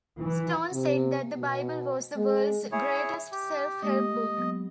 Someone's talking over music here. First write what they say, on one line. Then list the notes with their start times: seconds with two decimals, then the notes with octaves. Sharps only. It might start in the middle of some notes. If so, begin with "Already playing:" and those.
Stone said that the Bible was "the world's greatest self-help book".
0.20 E3
0.73 C3
1.38 B2
2.16 G#3
2.72 E4 G#4 C#5
3.32 G4
3.83 G#3 A#3 G4 D#5
4.37 F#3 B3